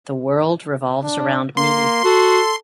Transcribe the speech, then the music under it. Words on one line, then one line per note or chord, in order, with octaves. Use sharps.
The world revolves around me.
D4
A#3 C6
F#4 A4